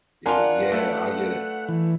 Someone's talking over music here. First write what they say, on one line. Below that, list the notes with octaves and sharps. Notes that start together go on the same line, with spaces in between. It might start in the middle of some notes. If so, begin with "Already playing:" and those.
You yeah, I get it.
D4 F4 A#4 F#5 G#5 C6
A3 A4 B4
E3